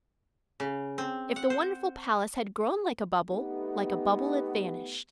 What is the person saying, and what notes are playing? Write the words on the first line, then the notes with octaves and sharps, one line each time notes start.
If the wonderful palace had grown like a bubble, like a bubble it vanished.
C#3
C4
F#5
C5
A3 B3 D#4 G4